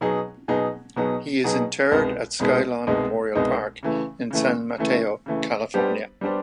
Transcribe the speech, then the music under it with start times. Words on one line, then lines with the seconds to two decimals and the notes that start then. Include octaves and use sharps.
He is interred at Skylawn Memorial Park in San Mateo, California.
0.01 B2 F#3 B3 D#4 G#4
0.48 B2 F#3 B3 D#4 G#4
0.96 B2 F#3 B3 D#4 G#4
1.44 B2 F#3 B3 D#4 G#4
1.91 C2 B2 G#3 B3 D#4
2.39 C2 B2 G#3 B3 D#4
2.87 C2 B2 G#3 B3 D#4
3.35 C2 B2 G#3 B3 D#4
3.83 C#3 E3 A3
4.31 C#3 E3 A3
4.78 C#3 E3 A3
5.26 C#3 E3 A3
5.74 G3 B3 D4 G4 C5
6.21 G3 B3 D4 G4 C5